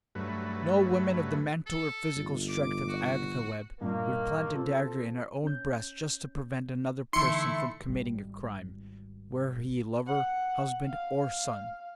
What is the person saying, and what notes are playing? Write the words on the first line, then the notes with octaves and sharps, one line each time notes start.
No woman of the mental or physical strength of Agatha Webb would plant a dagger in her own breast just to prevent another person from committing a crime, were he lover, husband, or son.
G2 F#3 A3 B4
A4
G1
D6
F#4
G2 A#2 D#3 A#3
C4 F4 A4
C#4 G6
D3 E3 A3 D#4 E4 C6 C#7
G#1 G3
F#5
F5